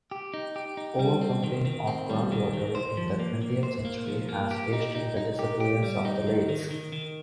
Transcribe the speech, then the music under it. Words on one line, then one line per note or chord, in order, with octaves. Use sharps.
Over-pumping of groundwater in the twentieth century has hastened the disappearance of the lakes.
G4
D#4
G4
D#4
G3
C4
D#3
D#3
C4
G3
D#3
D#3
C5
F3
A#3
A#3
C5
A#3
F3
A#3
G4
D#4
D#4
D#4
G4
G4
G3
D#4
D#3
D#3
D#3
D#3